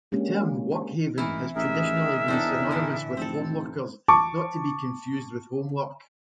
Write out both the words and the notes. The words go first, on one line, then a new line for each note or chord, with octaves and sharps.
The term workhaven has traditionally been synonymous with home-workers-not to be confused with homework.
G#3 A#3 C#4 D4 G4
A1 E3 D#4 E4 A#4
A1 D#4 G#4 A#4 E5
E2 C4 D4 A4
A2 D3 E3
F1 C4 A4
A5 C#6 D6